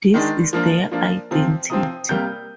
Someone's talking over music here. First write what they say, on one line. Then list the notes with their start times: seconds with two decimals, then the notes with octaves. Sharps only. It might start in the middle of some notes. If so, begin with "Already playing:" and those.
This is their identity.
0.14 D#3 G#3 D4
0.53 F3 A#3 D4
0.92 F3 A#3 D4
1.31 C3 F3 C4
1.70 C3 F3 C4 D#6
2.09 C3 G3 A#3 G6